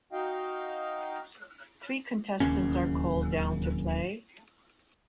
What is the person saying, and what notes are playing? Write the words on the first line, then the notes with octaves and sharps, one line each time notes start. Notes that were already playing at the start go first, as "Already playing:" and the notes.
Three contestants are called down to play.
D#4 F#4 D#5 F5 G5
D1 D#2 C#3 C#4